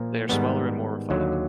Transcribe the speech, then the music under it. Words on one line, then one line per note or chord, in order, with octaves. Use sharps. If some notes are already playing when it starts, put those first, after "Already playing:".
They are smaller and more refined.
Already playing: A#2 F3 A#3
G#2 D#3 G3 B3
D#2 D3 F#3